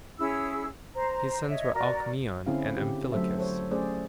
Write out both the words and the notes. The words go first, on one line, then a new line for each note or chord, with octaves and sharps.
His sons were Alcmaeon and Amphilochus.
C#4 E4 G#4 E6
C5 A#5
C#5 D#5 E5
F#4 A#4 D5 A#5
D3 C4 C#4 E4 G#4 F5
D3 G4
F#3 A3 A4 C5 E5
A4 C5 C#5
A3 C#4 G#4 C5 D5